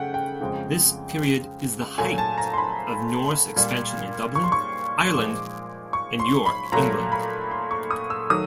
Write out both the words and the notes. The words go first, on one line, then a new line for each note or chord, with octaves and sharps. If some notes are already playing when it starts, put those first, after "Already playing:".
This period is the height of Norse expansion in Dublin, Ireland and York, England.
Already playing: C#3 A3 F#5 G5
G5
F2 C#3 F3 G#3
A#2 F#3 A3 G#5
A5
A#5
C6
B5
A#2 G3
C#6
C6
C#6
A#2 F3 G#3 D6
C#6
C6
B5
A#2 F#3 A3 A#5
B5
C6
C#6
D#6
E6
D#3 F#3 A3 D#6